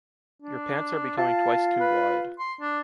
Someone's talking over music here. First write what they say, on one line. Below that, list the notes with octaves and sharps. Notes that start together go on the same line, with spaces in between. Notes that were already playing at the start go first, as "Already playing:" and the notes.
Your pants are becoming twice to wide.
D4
F4 A5
B4
C6
D4